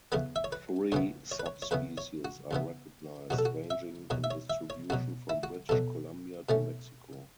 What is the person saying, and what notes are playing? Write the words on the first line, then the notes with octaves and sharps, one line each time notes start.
Three subspecies are recognized, ranging in distribution from British Columbia to Mexico.
E2 C#3 E3 B3 B4
E5
C#5
B4
E2 C#3 E3 B3 C#5
C#5
B4
C#5
C#5
E2 C#3 E3 B3 B4
C#5
F#4
E2 C#3 E3 B3
E2 B2 F#3 F#4
A4
F#4
E5
E2 B2 F#3 C#5
E5
C#5
E5
C#5
E2 B2 F#3 F#4
E4
F#4
E2 B2 F#3 A4
B2 A3 C#4